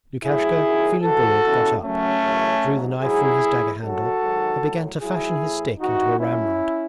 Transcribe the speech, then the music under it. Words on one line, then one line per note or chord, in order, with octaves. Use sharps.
Lukashka feeling bored got up, drew the knife from his dagger-handle and began to fashion his stick into a ramrod.
A2 F#3 E4 G#4
F#2 D#3 F#3
G#2 E3 F#4 A4
E2 C#3 E3
F#2 C#3 F#3 A3 C#4
F#2 C#3 E3
G#2 F#3
G#2 F#3 E4 G#4
A2 E3
F#2 C#3 F#3 F#4 A4
G#2 D#3 F#3
A2 F#3
G#2 D#3 F#3 E4 G#4
A2 E3
E2 C3 E3 D#4 F#4
A2 F#3 C#4 E4